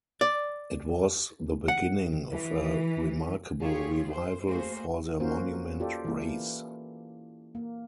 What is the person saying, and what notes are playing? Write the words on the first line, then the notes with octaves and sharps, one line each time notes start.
It was the beginning of a remarkable revival for the Monument race.
D5
F#5
E3
F4 G4 G#4 C#5
C5
A3 A#3 F#4 G#4 C5
A#3 C#4 F4 F#4 A#4 C5
F4 G4 A4 D5
E3 A#3
A#3